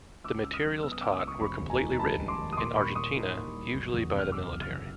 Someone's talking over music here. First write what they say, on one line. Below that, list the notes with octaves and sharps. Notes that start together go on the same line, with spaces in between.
The materials taught were completely written in Argentina, usually by the military.
C#2 D6 E6
C#3 E6
D#6 F6
F#3
B3 E6
D#6
C#2 D6 E6
D#6
C#3 E6
C#6 D#6
F1 B5 C#6
D#2
G#5 A#5
D#3
A#5
G#3 A5 B5
F1
C6 D6
D#2
D#6
A#2 C6 D6
G3 B5 C#6
A#3 C#6 D#6
D#4
A#2
G3
F#1
E2
C3
F6
F#1 D6 E6
F#1
F6
E2